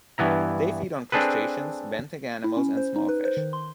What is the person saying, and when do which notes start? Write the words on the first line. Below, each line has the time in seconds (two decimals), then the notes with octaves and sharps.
They feed on crustaceans, benthic animals, and small fish.
0.18 G2 E3 B3 E4 A#5
1.12 C4 D4 G#4 A4 B4
2.44 E4
2.57 C#4
2.77 C5
2.96 D#4
3.09 B4
3.25 C5
3.37 D#3
3.53 C6